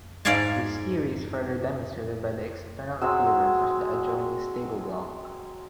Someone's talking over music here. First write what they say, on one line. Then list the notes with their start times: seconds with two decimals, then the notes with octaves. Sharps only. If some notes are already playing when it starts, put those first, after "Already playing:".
This theory is further demonstrated by the external appearance of the adjoining stable block.
0.25 G#2 D5 F5 G#5 A5
3.01 F#3 G#3 C4 E6